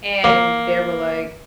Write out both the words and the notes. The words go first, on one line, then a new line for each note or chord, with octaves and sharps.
and they were, like,
A#3